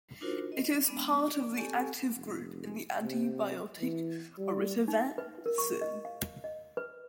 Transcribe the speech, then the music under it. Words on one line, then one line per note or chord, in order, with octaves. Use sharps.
It is part of the active group in the antibiotic oritavancin.
D4 D#4 F4 F#4 A#4 C5
D#5
G#3 B3 C4 D4
D5
C4 G4 A4 G#5 A5 C#6
F1
C3
E3
G3
D#4
B4
A#4
C#6
D#5
F5
D#5
B4